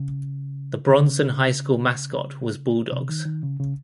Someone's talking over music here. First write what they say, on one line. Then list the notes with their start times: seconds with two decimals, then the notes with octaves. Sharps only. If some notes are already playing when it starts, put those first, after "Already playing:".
The Bronson high school mascot was Bulldogs.
Already playing: C#3
0.89 C#3
2.92 C3
3.09 D#3
3.26 D#3
3.43 C#3
3.60 C#3